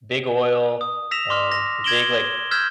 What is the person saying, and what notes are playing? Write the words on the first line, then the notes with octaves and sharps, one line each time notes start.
big oil, um, the big, like,
D#6
E6 A#6 B6 E7 F7
C6 D6 F6
A#6
G#6 A#6 D7 E7 F#7 G7
E6 F6 G6 G#6 B6 E7